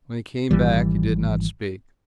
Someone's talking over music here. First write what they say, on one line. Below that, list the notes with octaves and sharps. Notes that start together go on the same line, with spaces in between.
When he came back, he did not speak.
G#1 E3 G3